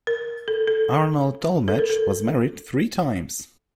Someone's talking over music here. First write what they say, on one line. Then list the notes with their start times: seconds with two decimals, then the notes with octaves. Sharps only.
Arnold Dolmetsch was married three times.
0.07 A#4
0.48 A4
0.67 A4
1.68 A4
1.79 A#4
1.90 A4